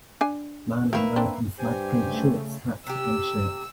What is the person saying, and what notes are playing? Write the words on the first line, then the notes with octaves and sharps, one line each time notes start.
Man in American Flag print shorts, hat, and shirt.
D4 G#5
D#3 A#3 B4 E5 F5
C4 D4
G2 G4 C5 G#5
C#3 A3
C3 G4 E6